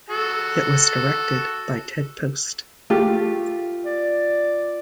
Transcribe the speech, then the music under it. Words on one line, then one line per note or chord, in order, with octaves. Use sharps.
It was directed by Ted Post.
F#4 A4
A3 F4 G4
D5